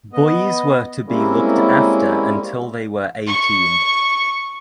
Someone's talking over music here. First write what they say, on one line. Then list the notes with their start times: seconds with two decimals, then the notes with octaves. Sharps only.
Boys were to be looked after until they were eighteen.
0.13 B3 D#5
1.08 G3 G#3 A#3 C4 C#4 E4
3.27 C#6